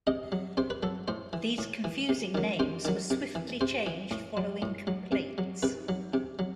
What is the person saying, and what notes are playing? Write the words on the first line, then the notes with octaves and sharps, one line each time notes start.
These confusing names were swiftly changed following complaints.
C3 D#5
F#3
C3 C5
B4
F#3 A4
A2 C5
E3
A2
E3
C3
D#3 F#3
C3 C5
D#3 F#3
C3
E3
C3 C5
E3
A2
F#3
A2
F#3
C3
F#3
C3 B4
F#3
C3
F#3